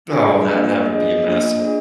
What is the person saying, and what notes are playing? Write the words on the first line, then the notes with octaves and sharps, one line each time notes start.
Oh, that that would be a mess.
D4 F4 G#4 G#5
A#3 D4 F4
B3 F4 G#4 D#5
A#3 D4 F4
D4 G#4